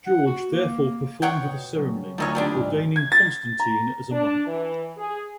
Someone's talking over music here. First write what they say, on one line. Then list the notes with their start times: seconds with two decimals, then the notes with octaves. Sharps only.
George therefore performed the ceremony, ordaining Constantine as a monk.
0.06 F#5
0.26 F#4
0.49 A#3
1.22 C#5 F#5 G5
1.44 B2
1.76 C#3 F#3
2.18 D2 F3 D#4 C#5 E6 F6
2.35 F3 G3 A3 C4 D4 D#4
2.51 D2 G#2
2.96 G#6
3.12 A6
3.60 A#5
4.11 D4
4.46 E3
4.97 G#4